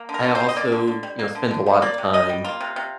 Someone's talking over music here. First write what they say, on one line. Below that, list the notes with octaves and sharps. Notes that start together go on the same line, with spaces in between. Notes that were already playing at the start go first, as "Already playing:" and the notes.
I also, you know, spent a lotta time,
Already playing: A#3
D3
A#4
D3
C5
G3
D#5
A#3 D5
D3
D3
G3
A#3
D3
D3
G3
A#3 D5
C3
C3 D#5
G3
A#3 F4
C3
C3